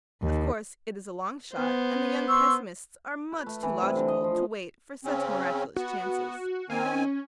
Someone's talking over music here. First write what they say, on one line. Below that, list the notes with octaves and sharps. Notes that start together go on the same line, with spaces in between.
Of course, it is a long shot and the young pessimists are much too logical to wait for such miraculous chances.
D#2
B3 C5
C6 C#6 E6
B4
A3
E3
C3
D3
D#5
F3
C#3 C4 C#4
B3 F#4
D#3 A#3 C4 G#5
C#4